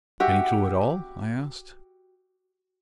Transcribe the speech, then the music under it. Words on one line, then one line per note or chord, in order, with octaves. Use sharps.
"Any clew at all?" I asked.
F#4 G4 E5